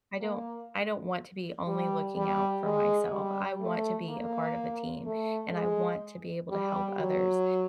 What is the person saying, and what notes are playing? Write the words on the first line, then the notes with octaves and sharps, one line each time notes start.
I don't I don't want to be only looking out for myself, I want to be a part of the team, and I want to be able to help others,
A#3
G3
G3
G#3
G3
A3
A#3
A3
G#3
G3
F#3